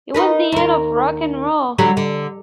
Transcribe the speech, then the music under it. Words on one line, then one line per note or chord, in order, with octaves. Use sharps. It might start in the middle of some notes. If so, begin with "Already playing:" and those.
It was the end of rock 'n' roll.
D#4 A#4 B4
D#2 A#4
D3 F#3 G3
D3